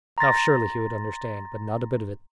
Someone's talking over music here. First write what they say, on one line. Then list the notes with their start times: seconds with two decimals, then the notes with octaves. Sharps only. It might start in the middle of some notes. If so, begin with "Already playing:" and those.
Now surely he would understand; but not a bit of it.
0.18 A#5 C6 A6 A#6